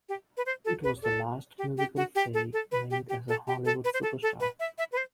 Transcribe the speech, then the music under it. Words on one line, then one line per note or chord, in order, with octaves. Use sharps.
It was the last musical Faye made as a Hollywood superstar.
G4
B4
C5
A4
B4
A4
G4
G4
F#4
G4
A4
A4
B4
G4
G4
A4
G4
A4
B4
C5
A4
A4
B4
E5
E5
B4
C5